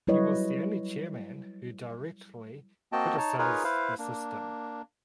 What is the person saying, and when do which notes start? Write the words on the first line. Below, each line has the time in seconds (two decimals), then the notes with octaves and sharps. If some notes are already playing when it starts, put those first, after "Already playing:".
He was the only chairman who directly criticised the system.
0.07 F#3 G3 E4 B4 C#5 D#5
2.92 A#3 C4 F#4 D#5 G5 A5
3.17 D#4 C#5 A5
3.38 D#4 F4 G#4 A#4 B4 C#5
3.64 E4 B4 C5 F5
3.99 A#3 D4